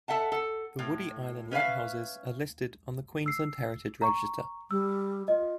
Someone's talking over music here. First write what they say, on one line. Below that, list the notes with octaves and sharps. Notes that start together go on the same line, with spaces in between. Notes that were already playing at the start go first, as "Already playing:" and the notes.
The Woody Island Lighthouses are listed on the Queensland Heritage Register.
A4 E5 F#5 A5
A4
A2
C#4 B4 E5 F5
E6 C7
A#5 C#6
G3 E6
F4 D#5